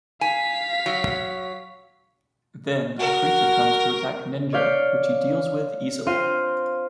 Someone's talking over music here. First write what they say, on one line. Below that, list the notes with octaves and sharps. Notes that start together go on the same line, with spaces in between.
Then, a creature comes to attack Ninja which he deals with easily.
F5 G#5 B6
F#3
F#4 A#4
C#5 D5 F5 G6 B6
C4 F4 C5 F5 D#7